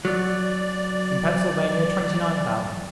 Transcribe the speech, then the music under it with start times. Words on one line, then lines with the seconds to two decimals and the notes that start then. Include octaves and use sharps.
In Pennsylvania, twenty-nine thousand.
0.05 F#3 D5